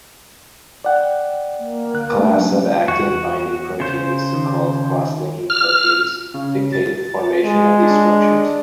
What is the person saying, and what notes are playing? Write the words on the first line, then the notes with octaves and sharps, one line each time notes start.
A class of actin-binding proteins, called cross-linking proteins, dictate the formation of these structures.
D5 F#5 G5
A#3
D2 F#6
A3 D4
F#3 C#4
E2 F#4
C#3 C5 G6
D#3
F6
C#3
A6
G#3
D4